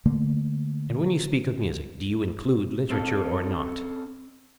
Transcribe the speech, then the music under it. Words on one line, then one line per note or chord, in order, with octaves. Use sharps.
And when you speak of music, do you include literature or not?
D3 A3 A#3
C4 C#4 A4